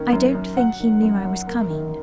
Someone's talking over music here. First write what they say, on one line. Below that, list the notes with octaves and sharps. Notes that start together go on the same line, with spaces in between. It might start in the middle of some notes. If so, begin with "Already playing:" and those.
"I don't think he knew I was coming."
Already playing: D#3 A#3 C#4
F#2
F#2
F#3 F#5
D#3
F#2
F#2
A#3
D#3